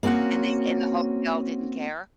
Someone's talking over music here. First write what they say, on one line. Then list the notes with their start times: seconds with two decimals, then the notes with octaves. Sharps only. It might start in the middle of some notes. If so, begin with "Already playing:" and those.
And they and the hotel didn't care?
0.03 A#3 C4 C#4 F#4 F#5